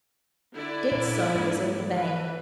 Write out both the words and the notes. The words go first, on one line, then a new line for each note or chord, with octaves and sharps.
Dick's soul is in the bank.
D3 E4 D5
A#2
G#2 A#3
E3 B4